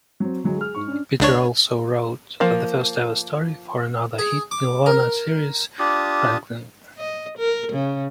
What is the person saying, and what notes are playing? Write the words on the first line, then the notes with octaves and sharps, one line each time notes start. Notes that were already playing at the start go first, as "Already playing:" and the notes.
Peter also wrote the first ever story for another hit Nelvana series, "Franklin".
F#3 C4
D2 F#3 G#3
G#4 F6
G#2 C#6
C#4 D4
C#2 D4 C#5
F3 A#3
G#4
D6
A#4
D4 F4 G4 D#6
D#5
A#4
C#3